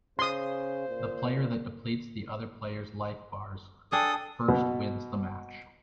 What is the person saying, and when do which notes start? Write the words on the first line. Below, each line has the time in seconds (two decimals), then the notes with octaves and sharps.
The player that depletes the other player's life bars first wins the match.
0.19 C#3 C5 C6 D#6
0.89 A#2
3.92 D4 G#4 A4 G5 D#6
4.48 B2